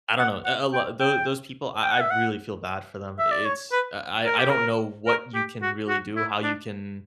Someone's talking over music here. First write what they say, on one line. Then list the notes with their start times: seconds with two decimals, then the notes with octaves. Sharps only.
I don't know, a a l tho those people I I really feel bad for them. I it's I I I don't know what you can really do, how you can,
0.19 F#5
0.45 F#5
0.73 G5
1.00 G5
1.82 G5
1.92 F#5
2.01 E5
2.10 F#5
3.19 E5
3.31 D5
3.45 C#5
3.72 B4
4.25 A#4
4.39 G4
4.50 A#4
5.07 A#4
5.35 G4
5.62 F#4
5.89 F#4
6.16 E4
6.43 D4